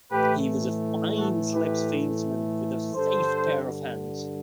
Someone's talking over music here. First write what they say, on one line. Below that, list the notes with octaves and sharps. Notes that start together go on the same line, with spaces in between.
He was a fine slips fieldsman with a safe pair of hands.
A2 E3 A3 G4 B4
F#4 A4
G4 B4
G2 D3 G3 A4 C5